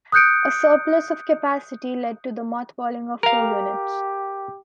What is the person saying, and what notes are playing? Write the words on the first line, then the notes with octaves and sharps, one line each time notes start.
A surplus of capacity led to the mothballing of four units.
D#6 F#6 G6 C#7 D7
G4 A#4 F5